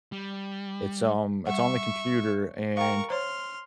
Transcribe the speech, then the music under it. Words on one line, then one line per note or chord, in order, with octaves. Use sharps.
It's, um, it's on the computer, and
G3
G3 E5 F#5 C#6
A#4 F5 G5 C#6
C5 C#5 C6 F6